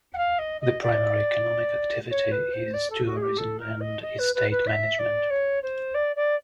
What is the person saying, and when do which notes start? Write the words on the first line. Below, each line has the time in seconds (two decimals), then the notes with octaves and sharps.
The primary economic activity is tourism and estate management.
0.14 F#5
0.17 F5
0.39 D#5
0.61 D#5
0.82 D5
2.11 C#5
2.32 B4
2.53 C5
2.74 D5
2.90 A4
3.06 F#4
3.17 G#4
3.22 G4
3.38 A4
3.59 A#4
3.81 D#5
4.02 D#5
4.19 B4
4.35 B4
4.50 B4
4.67 E5
4.99 D5
5.30 C#5
5.63 C5
5.94 D5
6.16 D5